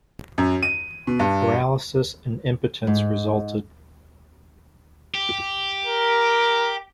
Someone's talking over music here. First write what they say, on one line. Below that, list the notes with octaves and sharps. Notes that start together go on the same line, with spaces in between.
Paralysis and impotence resulted.
F#2
D#7
B2
G2
G#2
G4
A#4